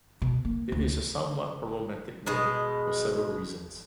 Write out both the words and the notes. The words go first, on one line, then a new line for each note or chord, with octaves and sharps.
It is a somewhat problematic work for several reasons.
B2
A#3
D2
B2 G#3